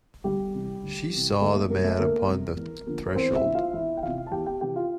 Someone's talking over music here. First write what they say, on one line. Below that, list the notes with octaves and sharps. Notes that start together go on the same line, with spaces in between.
She saw the men upon the threshold.
D2 G3 G4
C3 E3
D2
C3 E3
D2 A3 A4
A#3 A#4
C3 G3 A#3 A#4
A3 A4
D2 A#3 A#4
C3 G3 A#3
E2
D3 F3 A#3
A#4
E2 C4 C5
E4 E5
D3 F3 A#3
F4 F5
E2 E4 E5
G5
C3 E3 F4 F5
A5
E2 G4 G5
G4 G5
C3 E3 G4 G5
F4 F5